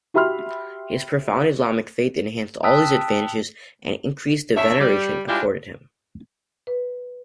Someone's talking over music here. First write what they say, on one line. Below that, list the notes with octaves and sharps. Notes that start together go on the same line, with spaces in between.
His profound Islamic faith enhanced all these advantages and increased the veneration accorded him.
F#4 G4 E5 B5 C6 F6
G5 A5 D#6 E6 F#6 B6
E2 D4 C#5 E5
G3
G3 G#3 D4 E4 F4 G4
B4